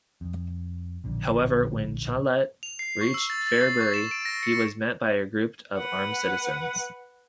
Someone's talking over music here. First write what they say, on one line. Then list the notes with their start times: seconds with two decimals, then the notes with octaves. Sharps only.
However, when Chanute reached Fairbury, he was met by a group of armed citizens.
0.21 F2
1.04 D1 A#1 D3
2.63 F7
2.79 C7
3.01 C#6
3.14 E6
3.30 A6
3.47 A6
3.61 C7
3.81 C#6
3.94 E7
4.11 D7
4.25 A#6
4.43 C#7
5.77 B4 F#5